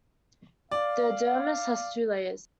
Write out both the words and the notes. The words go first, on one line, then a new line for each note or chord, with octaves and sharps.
The dermis has two layers.
D5 F5